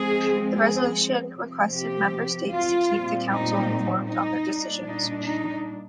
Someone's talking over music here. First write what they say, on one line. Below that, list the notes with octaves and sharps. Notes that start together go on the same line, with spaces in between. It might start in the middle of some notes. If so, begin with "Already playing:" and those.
The Resolution requested Member States to keep the Council informed on their decisions.
Already playing: F3 G#3 C4 G#4
G#4
C3 F3 C4
G4
F4
A#2 G3 C4
D#4
D#4
A#2 G3 D4
D#4
D#4